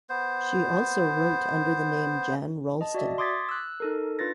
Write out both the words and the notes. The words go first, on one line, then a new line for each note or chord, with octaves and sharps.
She also wrote under the name Jan Ralston.
B3 C5
D#5 A5
F#4 D5 E5
C6 D6 D#6 G#6 A6 B6
E6 F#6
D#4 A4 A#4
D4 F4 B4 A6 A#6